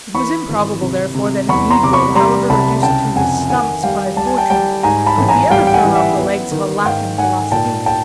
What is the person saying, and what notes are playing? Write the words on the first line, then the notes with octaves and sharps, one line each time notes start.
It was improbable, therefore, that a negro, however reduced to his stumps by fortune, could be ever thrown off the legs of a laughing philosophy.
E3 B5 C#6
G#1
C3
C3
E2 B5 C#6
A#5 C6
C3 D6
B5 C#6
G3 A#5 C6
C2 A5 B5
C#3 G5 A5
F2 F#5 G#5
D#3 F#5 G#5
G3 F5 G5
G3 A5
G#5
G5 A5
G3 G5 A5
G#2 G#5 A#5
A5 B5
A1
G#5 A#5
G3 F5 G5
G5
F#5 G#5
E3
E5 F#5
B3
D#3
G#2 F5 G5
G#2 F#5 G#5
A#2 G5 A5
G5 A5